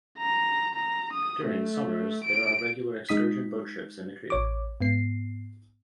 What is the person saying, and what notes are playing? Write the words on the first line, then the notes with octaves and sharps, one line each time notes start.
During summers there are regular excursion boat trips in the creek.
A#5
A#5
D#6
A3
D7
G#3 D#4 D#6 B6
A1 C#5 D6
G#2 B3 C7